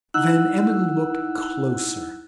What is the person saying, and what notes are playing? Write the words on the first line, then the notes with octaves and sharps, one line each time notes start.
Van Emmon looked closer.
D#4 E4 F#5 E6 F#6